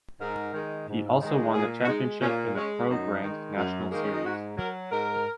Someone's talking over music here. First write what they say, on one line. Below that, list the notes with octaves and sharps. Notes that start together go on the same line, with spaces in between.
He also won the championship in the Pro Grand National Series.
G#2 A#4
D#3 G#3
G#2
D#3 G#3
A#2 G#4
F#4
G#3 D#4
A#2 C#4
A#3
A#3
G#3 C#4
F#2 D#4
D#3 G#3
F#2
D#3 G#3 A#3
C#4
D#4
G#2 F#4
F#3 A#4
G#2 A#4